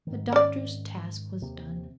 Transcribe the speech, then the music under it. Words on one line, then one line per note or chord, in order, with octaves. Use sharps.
The doctor's task was done.
G#2 D#3
C#4 D5
D#2 C3